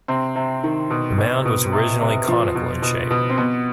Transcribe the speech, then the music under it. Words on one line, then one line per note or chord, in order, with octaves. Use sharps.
The mound was originally conical in shape.
C3 C4
C3
D#3
B2
B2
B2
C3
C3
F3
B2
B2
B2
C4
B2 B3